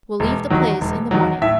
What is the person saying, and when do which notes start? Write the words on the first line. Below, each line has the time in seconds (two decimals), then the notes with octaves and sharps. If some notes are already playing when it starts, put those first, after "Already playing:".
We'll leave the place in the morning.
0.20 E1
0.50 E2 D#3 F#3
0.81 E1
1.11 E2 D#3 F#3
1.41 A2 E5